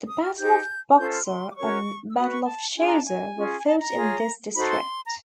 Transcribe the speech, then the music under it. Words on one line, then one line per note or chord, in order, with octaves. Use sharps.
The Battle of Buxar and Battle of Chausa were fought in this district.
D#6
F6
D#4 G4 C5 G6
C#4 F4 A4 C5 G6
F6
C6
D6
C#4 F#4 A#4 C#5 C#6
E6
F#4 B4 D#6
C#6
A5
D4 F4 G#4 G#5
A#5
A5
G#5
C#4 F4 G#4
G#5
A5
A#5
F4 G#4 C#5
D#4 F#4 A4 C5 B5
C6
A#5